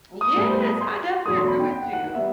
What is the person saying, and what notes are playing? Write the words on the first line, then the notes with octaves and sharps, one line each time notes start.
Yes, I definitely agree with you.
D#6
A2 G3 B3
C6
E2 B2 F#3 A3 D#6
C6
B5
G5
G5
F#5
F#5
F#5
G3 B3 E5